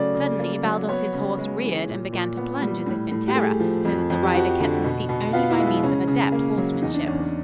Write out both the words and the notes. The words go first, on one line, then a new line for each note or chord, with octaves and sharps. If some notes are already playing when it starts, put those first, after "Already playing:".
Suddenly Baldos's horse reared and began to plunge as if in terror, so that the rider kept his seat only by means of adept horsemanship.
Already playing: C#3 F#3 A3 D5
C#3
A#3
F#3
B3 C#5
C#3
G#3
E3
A#2
A#2
B3
G3
A2
A2
G4
A3 G#4
F3
F2
F2
G4
F3 F#4
D3
B2
B2
B3 F4
E4
G#3
E4
C#3 C#4
C#3
A#3
F#3
E2 D#4
D4
E2 C#4
C#4